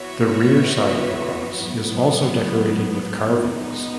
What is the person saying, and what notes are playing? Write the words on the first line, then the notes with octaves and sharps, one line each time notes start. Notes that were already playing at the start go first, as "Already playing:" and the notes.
The rear side of the cross is also decorated with carvings.
Already playing: E3 B3 F#4 C#5 E5
G#2 F#3 B3
C#2 B2 G#3 B3 D#4